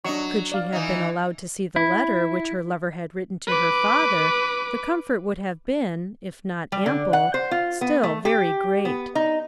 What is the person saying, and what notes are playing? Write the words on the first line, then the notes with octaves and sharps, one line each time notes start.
Could she have been allowed to see the letter which her lover had written to her father, the comfort would have been, if not ample, still very great.
F#3 D4 D#5 C#6
D5 F5
E3 D#4
E4
B4 D6
G3
D3
F#5
C5
F4
B3
A3
G4
B3
D#4